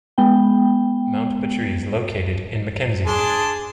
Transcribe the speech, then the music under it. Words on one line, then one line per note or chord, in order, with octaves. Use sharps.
Mount Petrie is located in Mackenzie.
G#3 B3 G5
D4 G#4 A5 C6